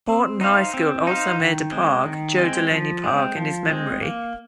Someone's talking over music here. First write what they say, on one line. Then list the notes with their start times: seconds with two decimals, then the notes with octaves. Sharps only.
Haughton High School also made a park, Joe Delaney Park, in his memory.
0.09 C4
0.41 D#4 C5 F5
0.74 C4
1.07 D#4 C5 F5
1.40 D#3
1.72 G#3 C4
2.05 D#3
2.38 G#3 C4
2.71 F3
3.04 G#3 C4
3.36 F3
3.69 G#3 C4
4.02 A#3